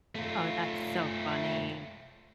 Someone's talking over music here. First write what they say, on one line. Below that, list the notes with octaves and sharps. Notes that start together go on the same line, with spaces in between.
Oh, that's so funny.
A3 F4